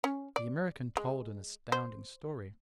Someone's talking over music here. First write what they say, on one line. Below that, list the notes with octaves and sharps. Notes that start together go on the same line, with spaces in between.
The American told an astounding story.
C#4
D5
G#3
C5